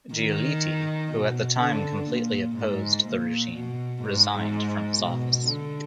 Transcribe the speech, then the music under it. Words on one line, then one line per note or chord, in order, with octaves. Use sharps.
Giolitti, who at the time, completely opposed the regime, resigned from his office.
D#3
B2
D3
A#2
G#2
A#2
B2
G#2
B2
D3